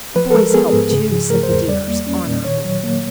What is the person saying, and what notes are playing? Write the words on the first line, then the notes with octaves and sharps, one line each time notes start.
'The boys helped too,' said the dears, honourably.
F3 B4
A4
G#3 A#4
B3 G#4
G#2
C#3
F3
A3 A#4
C5
E2
G3 D5
A#3
C#4
A#2
D#3 C#5
F#3
A#3